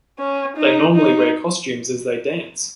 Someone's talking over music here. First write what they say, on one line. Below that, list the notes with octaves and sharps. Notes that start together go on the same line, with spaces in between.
They normally wear costumes as they dance.
C#4
D#4
D#4